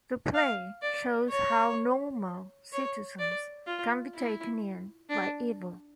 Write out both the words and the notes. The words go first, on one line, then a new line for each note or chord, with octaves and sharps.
The play shows how "normal" citizens can be taken in by evil.
F5
D5
C#5
C#5
D5
F4
E4
D4